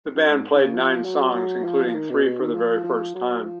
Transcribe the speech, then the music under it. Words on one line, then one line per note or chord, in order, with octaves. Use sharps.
The band played nine songs, including three for the very first time.
F#2
G#2
D#3
C#3
F3
F#3
F#3
F3
F3
D#3
B2
B2
D#3
F3
F3
F#3
F3